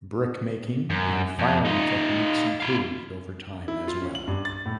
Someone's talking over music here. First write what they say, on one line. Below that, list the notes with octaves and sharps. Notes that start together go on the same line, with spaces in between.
Brick making and firing techniques improved over time as well.
F#2
F2
D#4 F4
E4 F5
E4
F4
C#4
F#7
G2
A6
A2